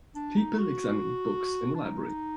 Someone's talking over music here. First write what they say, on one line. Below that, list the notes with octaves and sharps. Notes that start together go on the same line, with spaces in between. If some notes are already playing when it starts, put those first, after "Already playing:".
People examine books in a library.
D4
D#4
F#4
D4
D#4